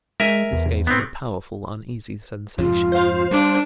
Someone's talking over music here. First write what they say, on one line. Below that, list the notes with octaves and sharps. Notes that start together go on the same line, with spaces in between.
This gave him a powerful, uneasy sensation.
G#3 A#4 E5 G#5
E2
B3 C4
F2 G#2 F4
C5 F5
G3 D4